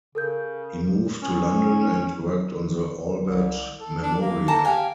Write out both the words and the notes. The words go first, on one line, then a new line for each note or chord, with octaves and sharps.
He moved to London and worked on the Albert Memorial.
C#3 A4 A#4 G6
C#4
C2
A4
D4
A#3
A5 A#5
G4 F5 G#5